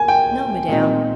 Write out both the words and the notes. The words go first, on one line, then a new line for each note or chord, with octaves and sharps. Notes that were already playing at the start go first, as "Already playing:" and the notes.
"No, Madame."
Already playing: A#3 G#5
G5
A#2 G#3 C4 D#4